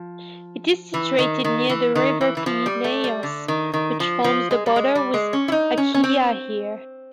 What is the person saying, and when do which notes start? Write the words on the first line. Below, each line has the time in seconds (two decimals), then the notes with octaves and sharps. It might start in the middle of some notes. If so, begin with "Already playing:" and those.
It is situated near the river Pineios, which forms the border with Achaea here.
Already playing: F3
0.94 E3
1.19 D#3
1.44 D#3
1.69 E3
1.96 D#3
2.21 E3
2.37 E3
2.46 F3
2.66 G3
2.84 A3
3.04 G3
3.23 D3
3.48 D#3
3.74 D#3
4.00 F3
4.24 F3
4.51 G#3
4.66 G3
4.76 G#3
4.95 G3
5.14 G#3
5.33 C#4
5.48 E4
5.52 D#4
5.77 C#4
5.94 C#4
6.04 C4